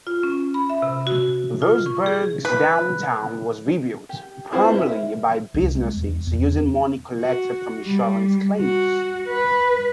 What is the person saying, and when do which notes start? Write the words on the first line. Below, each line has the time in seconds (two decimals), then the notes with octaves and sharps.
Roseburg's downtown was rebuilt, primarily by businesses using money collected from insurance claims.
0.07 F4
0.23 C#4
0.54 B5
0.70 E5
0.82 C3
1.07 F#4
1.62 F4
1.86 C#6
2.06 G#4
2.45 B4
4.09 G4
4.52 C4 E4 F4 B4 C5
4.75 A#4 E5
5.54 C2
5.75 G#3
5.96 E2
6.27 E2
7.20 F#4
7.82 G3
8.60 F#4
9.27 B4